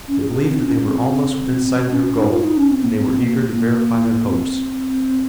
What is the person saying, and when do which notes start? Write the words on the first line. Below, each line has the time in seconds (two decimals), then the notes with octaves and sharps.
They believed that they were almost within sight of their goal, and they were eager to verify their hopes.
0.08 C#4
0.21 G#4
0.48 C4
0.61 D#4
0.65 C#4
0.87 C4
1.13 C4
1.65 C4
1.92 C#4
2.18 D#4
2.31 F4
2.44 D#4
2.57 C#4
2.70 C4
2.83 A#3
2.96 C4
3.09 C4
3.23 A#3
3.49 A#3
4.28 C4